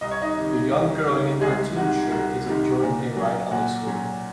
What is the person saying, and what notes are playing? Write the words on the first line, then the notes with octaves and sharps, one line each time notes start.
The young girl in a cartoon shirt is enjoying a ride on a swing.
C2 D#5
C#5
D#4 D#5
C3 D#3
C2
C3 D#3
C2 G#3 G#4
C3 D#3 F#4
C2 F#4
C3 D#3
A#2
F#3 C#4
A#2 F#4
F#3 C#4